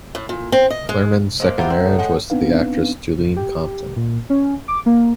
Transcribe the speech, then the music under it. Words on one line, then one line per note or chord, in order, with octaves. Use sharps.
Clurman's second marriage was to the actress Juleen Compton.
A2
A#2
C4
D#5
G#3
G#3 A#3 C5
B3 F4 G4 E5 F#5 A#5
C4
A4 C#5 G5
G#3 F#5
B3 C4 D4 D#4 B4 F5
G4
A#2
C#4
D6
A#3